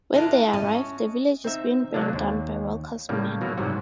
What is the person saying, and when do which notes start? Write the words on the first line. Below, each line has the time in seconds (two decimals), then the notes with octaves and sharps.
When they arrive, the village is being burned down by Walker's men.
0.13 D4 E4 F4 B4 D#5
0.53 C#4 F#4 D#5 E5 A5
1.44 C4 D#4 E5
1.94 C3 F#3 G#3 A#3 D4
2.13 D#2
3.09 A2 C#3 G3 A#3
3.41 B2 F#3 A#3
3.57 G#2 C3 F#3 G3 F#4